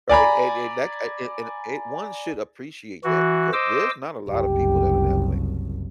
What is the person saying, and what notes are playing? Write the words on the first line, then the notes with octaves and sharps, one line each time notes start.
Right? And and that c a and and one should appreciate that because there's not a lot of people that are that way.
D5 G#5 A#5 B5
E3 F#4
C5 D#5 D6 E6
F#1 C2 G4